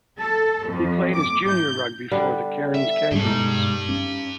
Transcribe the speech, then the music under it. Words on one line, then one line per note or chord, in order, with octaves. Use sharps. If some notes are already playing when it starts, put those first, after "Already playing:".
He played his junior rugby for the Cairns Kangaroos.
A4
F2
D6
G6
D3 G3 B3
E5
G#2 G3 G4 G#4 A5
B2 G#3 D#4 A4
C#4